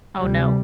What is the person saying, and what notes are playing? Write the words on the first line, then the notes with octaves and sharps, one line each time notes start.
Oh no.
D2 C3 G3